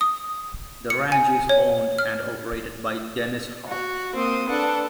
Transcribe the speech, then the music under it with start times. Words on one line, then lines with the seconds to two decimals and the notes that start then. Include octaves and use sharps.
The ranch is owned and operated by Dennis Hof.
0.01 D#6
0.90 C#7
1.12 G#5
1.49 C#5
1.99 F6
3.69 F#4
4.15 A#3 C4 C5 D#6
4.49 D4 A4 B4 F#5